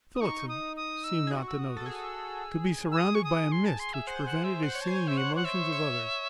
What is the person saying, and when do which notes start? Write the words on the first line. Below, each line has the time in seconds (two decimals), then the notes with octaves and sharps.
Phillotson seemed not to notice, to be surrounded by a mist which prevented his seeing the emotions of others.
0.15 D#6
0.21 D#4 C#6
0.49 D#6
0.77 D#6
1.04 E6
1.27 G#4
1.31 F#4
1.48 E6
1.59 D#6
1.77 A4
1.86 G#4 E6
2.91 E6
2.97 D#6
3.15 C#6
3.24 D#6
3.52 C6
3.65 A5
3.80 C6
3.93 E5
4.07 C5 F#5
4.25 F#5
4.44 E5
4.63 C5 F#5
4.75 C#5
4.81 A5
4.87 C5 G#5
5.07 E5
5.17 F#5
5.36 F#5
5.45 E5
5.72 C#5